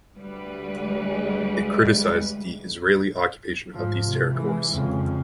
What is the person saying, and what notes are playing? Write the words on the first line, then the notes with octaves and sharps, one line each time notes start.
It criticized the Israeli occupation of these territories.
D2 G3 B4
G#3
G#2 F3
C3
E3 G#3
F2 C#3